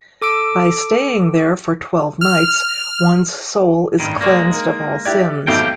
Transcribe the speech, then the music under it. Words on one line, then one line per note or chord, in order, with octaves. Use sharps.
By staying there for twelve nights, one's soul is cleansed of all sins.
A4 D6 E6 D7
F6
A1 G2 D#3
F1 G#3 A#3 D5 C#6
D#4 A#4
E4 G4 D5 F#6 G#6
G#1 F2 B2 F#3 A3 G4 F5 G5